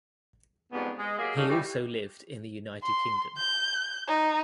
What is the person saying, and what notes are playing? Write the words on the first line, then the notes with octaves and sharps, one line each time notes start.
He also lived in the United Kingdom.
F2 G#2 G3 B3
G#3 D#5
F#3 A#3 G4 G#4
F3 G3 A#3 C#4 D#4 A4
E3 G3 F#4 G4
C6
G6
D#4